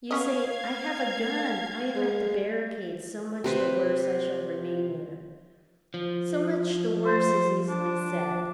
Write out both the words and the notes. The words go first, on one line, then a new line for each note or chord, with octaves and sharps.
You say: 'I have a gun, I am at the barricade; so much the worse, I shall remain there.' So much the worse is easily said.
B3 C#4 D#5 F5 G#6
G#3
C3 B4 C5
F3
C5
D4